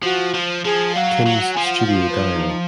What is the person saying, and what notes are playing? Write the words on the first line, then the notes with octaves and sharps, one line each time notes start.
Tim's Studio Diary.
F3 F#4
F3
F3 G#4
F#3 F5
F#3
F#5
F3 G#5
F#5
F#5
F5
B4
D#4